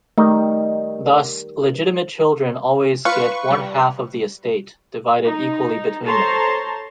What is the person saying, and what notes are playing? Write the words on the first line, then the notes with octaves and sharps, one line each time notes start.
Thus, legitimate children always get one half of the estate, divided equally between them.
D#3 G3 A3 D#4
F4 B4 C#6
G3
D#4
A4 C5 C#5 A5 A#5 C6